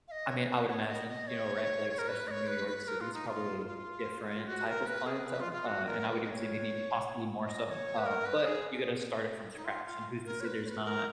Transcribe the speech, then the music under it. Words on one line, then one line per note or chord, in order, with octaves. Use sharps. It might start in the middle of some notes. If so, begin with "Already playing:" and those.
I mean, I would imagine, you know, right? Like, especially in New York City, it's probably a different type of clientele, uh, and I would even say maybe possibly more so, uh, but you gotta start it from scratch, and who's to say there's not
F5
D#5
C#5
B4
C#5
D#5
D#5
C#5
A#4
B4
D#5
C#5
B4
B4
A#4
F4
D#4
F4
F4
F#4
B4
A#4
B4
G#4
B4
F4
F4
F#4
A#4
B4
D#5
C#5
D#5
D#5
C#5
B4
A#4
B4
G#4
D#4
F4
F4
A#4
C#5
B4
C#5
B4
A#4